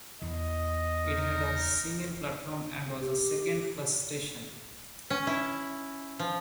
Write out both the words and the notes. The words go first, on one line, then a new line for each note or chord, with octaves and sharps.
It had a single platform and was a second-class station.
E2 E3 D#5
D#4 A#4
G4
C#4
E4
F3